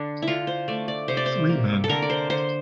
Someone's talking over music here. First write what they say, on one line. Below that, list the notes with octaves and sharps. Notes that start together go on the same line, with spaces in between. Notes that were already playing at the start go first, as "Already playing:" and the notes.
Three men.
Already playing: D3 D4
E4
D3 F4
C5
A3 D5
D5
C3 C5
D5
C5
A#3
A4
D3 A#4
D5
C5
D3 C5